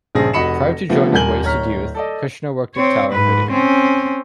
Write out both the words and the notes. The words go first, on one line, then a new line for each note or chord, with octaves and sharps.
Prior to joining Wasted Youth, Kushner worked at Tower Video.
A#1 G2 C#3 G#4 C5 A#6
F1 F#4 D#5 B5 C#7 E7
D3 F3 A3 B3 G4
D#1 G3 A#4 G#5 G6 F#7
D1 C#5 A#5 F6 B6
A4 D5 D#5
C4 C#5
G#2 B4
C4 C#4